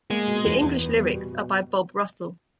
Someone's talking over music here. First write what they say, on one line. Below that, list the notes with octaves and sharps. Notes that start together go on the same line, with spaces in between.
The English lyrics are by Bob Russell.
G#3 A#3
B2
E2
E2
B3
G3
B2
B2